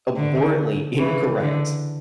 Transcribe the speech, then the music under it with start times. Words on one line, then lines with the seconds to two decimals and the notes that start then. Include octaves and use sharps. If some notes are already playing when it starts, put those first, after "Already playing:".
abhorrently incorrect
0.16 D3
0.99 C#3 E3
1.41 D3